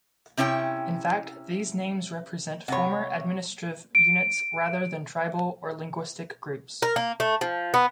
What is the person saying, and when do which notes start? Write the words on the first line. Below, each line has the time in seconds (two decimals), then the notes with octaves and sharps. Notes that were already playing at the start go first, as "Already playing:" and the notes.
In fact, these names represent former administrative units rather than tribal or linguistic groups.
0.37 C3 C#4 E4 C#5 G5
2.68 C3 C#5 F#5 B5
3.95 D7
6.82 A#4
6.96 A#3
7.20 A3
7.41 F3
7.74 B3